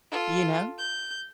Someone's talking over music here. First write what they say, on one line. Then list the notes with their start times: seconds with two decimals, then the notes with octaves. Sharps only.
you know?
0.11 F4 A4
0.78 G6